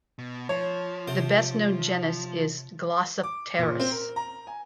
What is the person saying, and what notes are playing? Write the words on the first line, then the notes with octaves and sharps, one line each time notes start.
The best known genus is "Glossopteris".
B2
F3 C#5
C3 C5
D6
A#2
C4
A#4
A#5
G#5